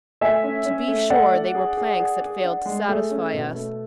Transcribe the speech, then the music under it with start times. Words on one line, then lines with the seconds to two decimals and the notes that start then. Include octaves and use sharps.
To be sure, they were planks that failed to satisfy us.
0.21 A3 E5 G#5
0.43 C#4
0.66 C#4
0.88 A3
1.10 A3 D5 F#5
1.33 D4
1.55 G#4
1.77 G#4
2.00 G#4
2.21 G#4
2.43 D4
2.65 G#3
2.88 A3 G#4
3.11 C#4
3.33 B2
3.55 A3